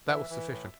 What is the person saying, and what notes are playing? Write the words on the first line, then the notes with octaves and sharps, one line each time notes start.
That was sufficient.
E3 E5
E3
A2